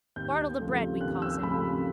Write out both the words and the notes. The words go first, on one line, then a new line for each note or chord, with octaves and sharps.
Bartle the Bread we calls him.
D#2 G6
C#3 F3 A3 C4
D#2 F#6
E6
C#3 F3 A3 C4 B5